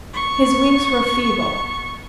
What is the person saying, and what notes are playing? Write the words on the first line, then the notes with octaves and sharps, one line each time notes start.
His wings were feeble.
B3 C#6